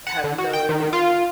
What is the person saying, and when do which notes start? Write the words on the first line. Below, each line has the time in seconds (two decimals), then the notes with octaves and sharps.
have no
0.07 F#5
0.24 D3
0.38 F#4
0.53 G5
0.69 D#3
0.80 D#3
0.93 F4